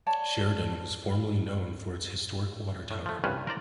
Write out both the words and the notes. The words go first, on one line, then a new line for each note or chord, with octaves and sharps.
Sheridan was formerly known for its historic water tower.
C#5 D5 A5
A2
F3 A3
C2 G2 C#4 F4 B4 C5
A#4 C5 D5 A#5